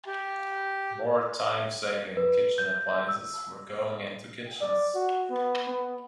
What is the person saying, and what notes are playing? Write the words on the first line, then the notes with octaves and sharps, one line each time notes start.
More time saving kitchen appliances were going into kitchens.
G4
B4
G6
E6
D5
F#4
B3
B3